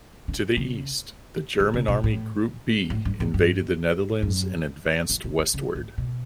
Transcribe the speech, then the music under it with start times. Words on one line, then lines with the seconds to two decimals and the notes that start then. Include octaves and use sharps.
To the east, the German Army Group B invaded the Netherlands and advanced westward.
0.28 D3
0.57 C#3
1.60 D3
1.74 C#3
1.88 B2
2.04 A2
2.90 A2
3.05 G2
3.20 A2
3.34 G2
4.22 F#2
5.10 E3
5.24 D3
5.38 D3
5.54 C#3
5.75 A2
5.98 B2